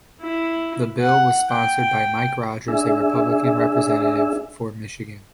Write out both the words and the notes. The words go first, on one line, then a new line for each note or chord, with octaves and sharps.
The bill was sponsored by Mike Rogers, a republican representative for Michigan.
E4
F#5
G5
D4 G#4 E5